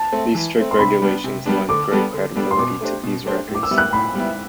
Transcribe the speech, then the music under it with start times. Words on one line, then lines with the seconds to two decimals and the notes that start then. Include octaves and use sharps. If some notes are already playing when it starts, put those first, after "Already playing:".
These strict regulations lend great credibility to these records.
Already playing: A5
0.12 A3 C4
0.35 E3
0.56 A3 C4
0.71 C6
0.79 C3 B5
1.02 G3 B3 D4
1.24 C3
1.46 G3 B3 D4
1.69 D3 D6
1.91 G3 B3 D4 A4
2.14 D3
2.36 G3 B3 D4 A4
2.51 C6
2.59 B2 D6
2.81 A3 D4 G4 C5
3.03 B2
3.26 A3 D4 G4 C5
3.49 A2
3.55 D6
3.63 E6
3.71 G3 B3 E4
3.78 F#6
3.93 A2 B5
4.15 G3 B3 E4